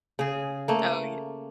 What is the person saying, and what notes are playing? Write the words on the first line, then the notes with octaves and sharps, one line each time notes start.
Oh, yeah.
C#3 G#4
A3 A#3